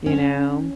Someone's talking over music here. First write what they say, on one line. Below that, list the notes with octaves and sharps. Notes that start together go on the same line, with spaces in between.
you know,
C#4